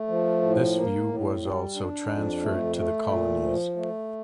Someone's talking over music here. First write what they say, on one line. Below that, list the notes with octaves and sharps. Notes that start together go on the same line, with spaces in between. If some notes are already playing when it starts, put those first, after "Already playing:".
This view was also transferred to the colonies.
Already playing: A3
F3
A2
A#3
A2
G3
D4
F2
A3
A3
A#2
F3
A3